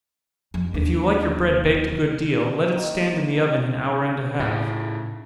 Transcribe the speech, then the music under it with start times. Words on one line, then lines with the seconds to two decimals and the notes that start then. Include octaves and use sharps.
If you like your bread baked a good deal, let it stand in the oven an hour and a half.
0.54 F2
0.74 D#2 D4
2.71 D#3 A#3 D#4
4.40 A2 C#3